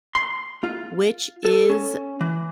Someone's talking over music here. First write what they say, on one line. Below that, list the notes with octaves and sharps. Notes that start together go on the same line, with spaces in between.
which is
C6
F4
A4
C#4
E3